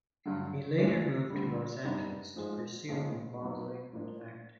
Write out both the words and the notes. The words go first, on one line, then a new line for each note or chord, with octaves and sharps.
He later moved to Los Angeles to pursue in modeling and acting.
G2 D3 F#3
D2 C#3 E3 A3 D4
D2 D3 G3
F#2 D#3 G3 B3 D4
G#2 F3 G#3
B1 A#2 F3 G#3 B3
B1 A#2 F#3 B3
A2 F3 A#3 D4